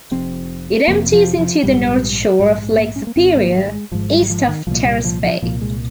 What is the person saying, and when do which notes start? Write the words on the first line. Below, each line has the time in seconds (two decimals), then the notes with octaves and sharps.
It empties into the north shore of Lake Superior east of Terrace Bay.
0.11 F1 F2 C3 C4
0.88 F1 F2 C3 A#3
1.13 F3
1.39 F3
1.63 A#1 G#2 G3
2.39 A#1 G#2 G3
2.59 G#3
2.77 A#3
2.96 C#4
3.07 A#3
3.16 G#1 G#2 C4
3.37 G#3
3.40 A#3
3.58 G3
3.66 G#3
3.91 G#1 G#2 F3
4.10 G3
4.22 G3
4.30 F3
4.48 D#3
4.67 C2 A#2 F3
4.85 G3
5.05 F3
5.23 F3
5.42 C2 A#2 F3
5.61 G#3